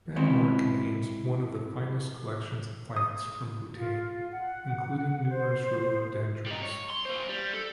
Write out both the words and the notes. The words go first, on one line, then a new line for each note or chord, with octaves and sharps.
Benmore contains one of the finest collections of plants from Bhutan including numerous rhododendrons.
G#3 C4 C#4 E4 C#5
D#6
F4
F#5
C5
G3 D#4
C#5
C6
A#3 C5
G3
A4